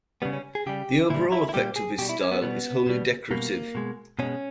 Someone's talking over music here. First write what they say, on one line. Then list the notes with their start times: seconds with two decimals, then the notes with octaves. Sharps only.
The overall effect of his style is wholly decorative.
0.22 C#3 G3 B3
0.33 C#4
0.55 G#4
0.66 C#3 G3 G4
1.10 A#2 G3 E4
1.32 E4
1.49 E4
1.54 A#2 G3 G4
1.76 G#4
1.98 B2 G4
2.02 G3
2.09 E4
2.21 C#4
2.32 B3
2.42 B2 G3 B3
2.87 B2 G3
3.31 B2 G3 A#3
3.75 B2 G#3
4.19 B2 G#3 C#4